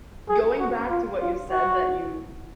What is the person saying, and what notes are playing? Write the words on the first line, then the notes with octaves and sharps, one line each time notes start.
going back to what you said that you,
G#4
F#4
F4
F4
F#4